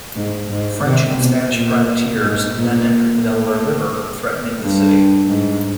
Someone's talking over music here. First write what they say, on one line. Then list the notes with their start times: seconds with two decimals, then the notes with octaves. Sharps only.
French and Spanish privateers then entered the Delaware River, threatening the city.
0.16 G#2
0.50 G#2
0.83 C3
1.18 B2
1.52 A#2
2.20 G#2
2.55 A#2
3.23 A2
4.60 G2
5.28 G#2